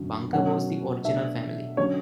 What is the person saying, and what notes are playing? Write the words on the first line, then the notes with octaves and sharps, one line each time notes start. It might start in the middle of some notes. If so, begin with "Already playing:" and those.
"Bunker" was the original family.
Already playing: F#2 D3 F#3 C#4
B2 F#3 C#4 F#5
B2 A3 D4 E5
D3 F#3 C#4 C#5